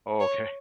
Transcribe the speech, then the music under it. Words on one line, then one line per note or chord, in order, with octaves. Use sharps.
Oh, okay.
C#5